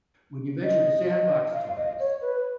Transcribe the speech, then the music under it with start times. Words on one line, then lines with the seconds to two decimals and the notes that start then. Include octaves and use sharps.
When you mentioned the sandbox toys,
0.63 D#5
1.07 D#5
1.53 F5
1.76 D#5
1.99 C#5
2.21 B4